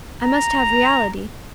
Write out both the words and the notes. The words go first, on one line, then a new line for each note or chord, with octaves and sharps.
I must have reality.
A#5